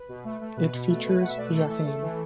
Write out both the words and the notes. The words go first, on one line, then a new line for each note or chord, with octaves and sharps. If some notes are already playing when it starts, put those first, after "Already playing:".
It features Jaheim.
Already playing: B4
B2
A3
A3
B2 B4
B2
A3
B2 B4
B2 F#5
E5
A3 D5
B4
E3 A4
A3
A3
E3